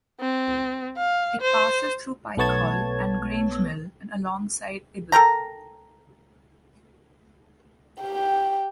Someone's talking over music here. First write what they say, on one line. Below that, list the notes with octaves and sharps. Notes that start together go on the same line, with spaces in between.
It passes through Pikehall and Grangemill and alongside Ible.
C4
F5
C5
B1 A3 B3 C#5 A5 G#6
A4 A#4 G5 A#5
G4 G5